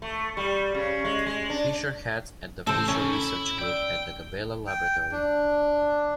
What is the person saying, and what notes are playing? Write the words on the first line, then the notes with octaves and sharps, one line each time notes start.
Fisher heads the Fisher Research Group at the Gaballe Laboratory.
A3
G3
C#3
G#3
G#3
D4
A2 C#3 E3 C4 A4 C5
A2 C3 D#3 E3 C#4
E4
C2 D5 G5 E6
G5
D4